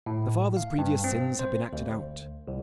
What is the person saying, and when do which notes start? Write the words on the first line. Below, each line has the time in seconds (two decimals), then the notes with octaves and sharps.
The father's previous sins have been acted out.
0.06 A2
0.57 F5
0.78 G2
1.04 C4
1.39 C5
1.73 D2
2.48 C2